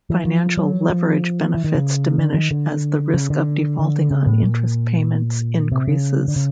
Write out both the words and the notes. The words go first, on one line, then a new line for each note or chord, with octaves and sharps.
Financial leverage benefits diminish as the risk of defaulting on interest payments increases.
E3
F3
F#3
F3
E3
D#3
C#3
D3
D#3
D3
C#3
D3
D3
C#3
A2
A#2
C3
C#3
D3
C#3